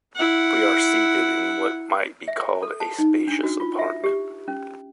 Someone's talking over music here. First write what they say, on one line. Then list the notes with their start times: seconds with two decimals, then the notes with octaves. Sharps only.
We are seated in what might be called a spacious apartment.
0.15 E4 F#5
2.28 E5
2.63 A4
2.80 A5
2.99 D#4
3.28 D4
3.43 F#4
3.60 F4
3.79 E5
4.04 G4
4.48 C#4